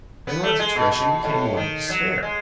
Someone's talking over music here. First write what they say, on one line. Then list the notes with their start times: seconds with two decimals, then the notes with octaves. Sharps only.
Penrod's expression became one of despair.
0.27 B3
0.43 A3
0.59 G#3
0.75 B2
0.92 B2
1.24 A2
1.57 D#3
1.89 F#3
2.23 G#3